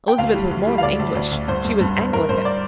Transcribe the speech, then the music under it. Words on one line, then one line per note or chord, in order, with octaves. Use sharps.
Elizabeth was more than English--she was Anglican.
G5
D2 F5
G3
D2
G3
F5
D2 D5
D2
D2
D2
G2 C5
G2
G2
G2
G2 A#4
G2 C5
D5